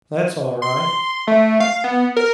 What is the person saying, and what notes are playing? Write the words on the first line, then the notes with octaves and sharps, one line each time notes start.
That's all right.
C6
A3
F5
B3
A#4